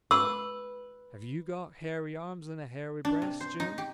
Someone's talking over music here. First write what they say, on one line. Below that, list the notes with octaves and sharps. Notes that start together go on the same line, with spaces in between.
"Have you got hairy arms and a hairy breast, Jim?"
B4 E6
D4
C3
C5
D#4
G4